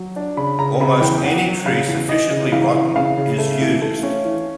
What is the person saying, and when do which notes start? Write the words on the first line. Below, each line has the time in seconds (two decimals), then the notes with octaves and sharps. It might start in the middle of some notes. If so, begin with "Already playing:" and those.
Almost any tree sufficiently rotten is used.
Already playing: F#3
0.16 D4
0.37 C#3 B5
0.59 C#3 A#5
0.80 C#3 B5
1.01 E2 G5
1.15 G5
1.24 E2 F#5
1.46 F#3
1.66 C#3 F5
1.88 E2
2.09 E3 D#5
2.30 C#3
2.52 E3 F5
2.74 E3
2.96 C#3 F5
3.17 C#3
3.38 A3
3.61 E3
3.82 A3
4.03 C#4
4.25 E3